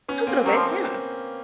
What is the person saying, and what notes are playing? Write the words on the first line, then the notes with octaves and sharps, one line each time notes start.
A little bit, yeah.
B3 C#4
A#3 C4
F#3 A#3 C4
F3